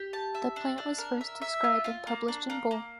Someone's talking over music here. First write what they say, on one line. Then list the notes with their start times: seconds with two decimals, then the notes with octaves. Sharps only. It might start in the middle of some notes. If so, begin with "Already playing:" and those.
The plant was first described and published in Bull.
Already playing: G4
0.13 A5
0.35 E5
0.56 D4
0.78 D4
0.98 A#4
1.21 E5
1.42 E5
1.64 F4
1.84 F4
2.07 A#3
2.28 D4
2.50 A#3
2.71 A#3